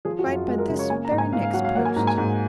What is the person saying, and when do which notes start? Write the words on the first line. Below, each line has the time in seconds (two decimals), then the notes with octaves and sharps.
Write by this very next post.
0.05 F3 G#4
0.19 F#4
0.26 F#2
0.33 F4
0.47 G#3
0.58 A#4
0.69 C#3
0.79 C#5
0.90 A#3 G#5
1.05 A#5
1.11 G#2
1.18 G#5
1.32 G#2 F5
1.43 F5
1.53 F#3 F#5
1.64 F5
1.75 A#3 F#5
1.85 G#5
1.96 G#2 A#5
2.07 G#5
2.18 G#2